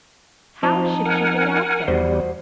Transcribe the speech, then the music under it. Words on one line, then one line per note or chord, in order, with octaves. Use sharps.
How should she get out there?
F2 F3 D#4 A5
A#4 F#5 G#5
E2 G3 F#4 C5